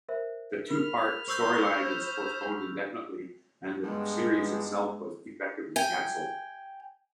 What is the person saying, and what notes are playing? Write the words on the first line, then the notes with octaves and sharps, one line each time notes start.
The two-part storyline was postponed indefinitely and the series itself was effectively cancelled.
A#4 C5 E5
A#4 B5 F6
C5 C#6 E6 G6
G2 G#3 B3 D4
G5 G#5